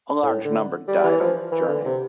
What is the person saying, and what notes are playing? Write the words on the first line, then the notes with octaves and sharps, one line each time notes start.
A large number died on the journey.
A2
D3
G3
E3
F3
E3
D3
C3